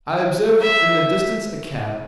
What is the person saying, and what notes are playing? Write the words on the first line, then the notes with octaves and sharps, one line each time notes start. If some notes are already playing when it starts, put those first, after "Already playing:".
I observe in the distance a cab.
E5